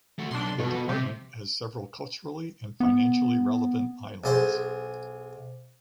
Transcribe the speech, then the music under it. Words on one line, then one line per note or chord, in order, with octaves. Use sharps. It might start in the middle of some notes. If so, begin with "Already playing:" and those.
The department has several culturally and financially relevant islands.
A3 F#4
B1 D4 C6
B2 F4 A4
C3 G4
B3
B1 G#4 C5